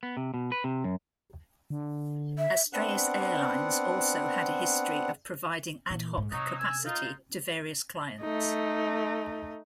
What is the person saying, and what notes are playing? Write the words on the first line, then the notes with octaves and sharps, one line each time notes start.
Astraeus Airlines also had a history of providing ad-hoc capacity to various clients.
B3
C3
B2
B4
C3
F#2
D3
E5
B3 C4 D4 F#5
A#2 E3
G#2
C3 F#3 D#4
G#5 E6
D#4 F4
A3 D#4